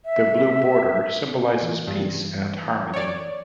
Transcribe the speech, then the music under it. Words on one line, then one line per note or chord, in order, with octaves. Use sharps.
The blue border symbolizes peace and harmony.
E5
E3
G2
C#5 D5